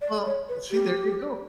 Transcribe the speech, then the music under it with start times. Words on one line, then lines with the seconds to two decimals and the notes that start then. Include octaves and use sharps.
Well, uh, see, there you go.
0.01 D5
0.25 C#5
0.49 B4
0.71 G4